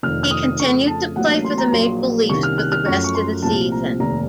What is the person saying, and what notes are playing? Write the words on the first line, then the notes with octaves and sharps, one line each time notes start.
He continued to play for the Maple Leafs for the rest of the season.
F1 F2 D#3 F6
F6
D#6
F2 C#3 A3 C#6
A5
A1 A2 F#3 A#3 C#4 F#5
C6
A#5
A#1 A#2 F#3 A#3 C6
C2 C3 D#3 A#3 C#4 C#6
F6
F#6
F6
F#2 F3 A3 C#4 C#6
C#6
C6
C2 A#2 F3 A3 C4 A5
A#5
F1 D#2 D#3 A#5